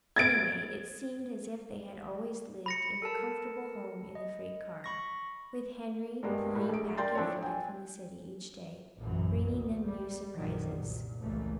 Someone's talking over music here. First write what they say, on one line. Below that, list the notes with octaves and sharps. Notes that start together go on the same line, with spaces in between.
Anyway it seemed as if they had always lived in the comfortable home in the freight car, with Henry plying back and forth from the city each day, bringing them new surprises.
G#6 A6 D7
B5 A#6 C#7
A4 A#4 A5
D#5
B5 C#6 A#6
G2 G#3 A#3 B3 G4
A2 G3 A#3
A#1 D7
A#4 D5 G5 C6 G6 A6
F3 C4 D4 E4 A4 C#5
G5 G#5
A#1 F#2 A2 E3 F#3
D2
G3
A#1 F#2 B2 D3 D#3 F#3
C2 A#2
G#1 C#2 G2 E3 A3 A#3